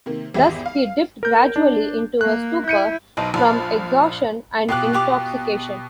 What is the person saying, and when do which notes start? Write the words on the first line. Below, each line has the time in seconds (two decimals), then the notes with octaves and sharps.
Thus he dipped gradually into a stupor, from exhaustion and intoxication.
0.06 C3 D#3 A#3
0.34 G#1 E2 G4 E5
0.66 F5
1.23 A#4 G6
1.56 D4
2.21 A#3 F#6
2.68 E4 G6 C#7 D#7
3.17 B1 D#4 B4 C5 A5
3.34 A#1 F4 A5 B5
4.68 B2 F4 G4 D6 F#6
4.93 F4 G4 D6